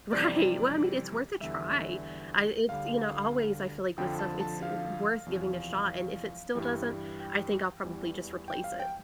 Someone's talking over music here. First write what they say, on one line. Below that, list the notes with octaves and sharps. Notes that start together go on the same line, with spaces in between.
Right. Well, I mean, it's worth a try. I it's you know, always, feel like with stuff, it's w w worth giving a shot, and if it still doesn't, I think I'll probably just replace it.
F2 C3 E3 G3 D5
E2 D3 G3 E5
D2 D3 G3 F5
F2 D3 F3 G5
A5
A5
F5
E2 C3 F3
G2 E3 G3
G5
E2 E3 G3
G5
F5
G5